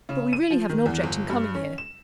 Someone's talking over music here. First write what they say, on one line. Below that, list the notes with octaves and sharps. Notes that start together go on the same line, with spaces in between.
But we really have an object in coming here.
C#3
D#7
F3
D#3
E2
G1
G2
C#4
E7